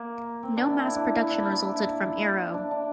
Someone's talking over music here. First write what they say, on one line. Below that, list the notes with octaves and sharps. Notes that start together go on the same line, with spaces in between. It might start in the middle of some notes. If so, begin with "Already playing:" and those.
No mass production resulted from Aero.
Already playing: A#3
C4
D4
E4
E4
D4
E4
D4
E4
D4
D4
E4
D4
D4